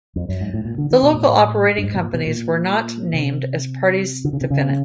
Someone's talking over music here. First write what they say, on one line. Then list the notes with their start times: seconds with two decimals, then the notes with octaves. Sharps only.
The local operating companies were not named as parties defendant.
0.16 F2
0.29 F#2
0.41 G#2
0.54 A2
0.65 A#2
0.78 D3
0.91 D#3
1.03 B2
1.14 A2
1.78 G2
1.83 G#2
1.94 B2
2.01 A#2
2.14 B2
2.26 A#2
3.14 C3
4.24 D3
4.33 C#3
4.41 C3
4.50 C#3